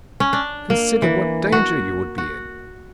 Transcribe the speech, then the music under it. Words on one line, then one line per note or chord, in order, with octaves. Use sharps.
Consider what danger you would be in!
C#4
D4
A#3
E3
F#4
F#4